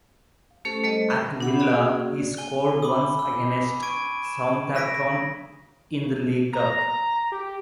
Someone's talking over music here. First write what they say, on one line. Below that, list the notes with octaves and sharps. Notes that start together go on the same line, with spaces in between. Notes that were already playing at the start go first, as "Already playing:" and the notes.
At Villa he scored once against Southampton in the League Cup.
A3 C#4 G4 A4 C5
G3 A3 A4 C5 D#5
A#4 E5 G5
D4 F#5 B5
A#3 C#4 F#4 G#4 D5
G#5 G7
B5 D6 D#6
E6
C#6 G#6 D7 D#7
E7
E6 A#6 B6 D7
A#5
G4